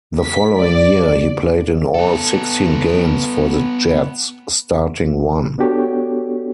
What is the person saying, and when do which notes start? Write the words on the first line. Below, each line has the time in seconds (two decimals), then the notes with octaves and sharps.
The following year, he played in all sixteen games for the Jets, starting one.
0.23 B6
0.58 D5
1.94 B3 A4
5.58 B3 D4 F#4 G4 A4 C#5